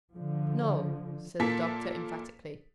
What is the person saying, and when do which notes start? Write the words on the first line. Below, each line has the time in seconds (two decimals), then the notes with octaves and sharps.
"No," said the doctor emphatically.
0.13 D3 F3
1.40 A#2 A#3 A4 B6